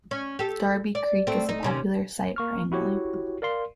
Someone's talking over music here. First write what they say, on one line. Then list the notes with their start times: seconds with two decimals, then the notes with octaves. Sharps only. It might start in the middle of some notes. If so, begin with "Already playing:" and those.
Darby Creek is a popular site for angling.
0.11 C#4
0.39 G4 A4
0.95 D5
1.27 A3 C4
1.49 D#4
1.63 D#2 C3 C#4
2.36 A#3 C#6 F6
2.72 E4 F#4 G4 C#5
3.42 A#4 D5 F5 C6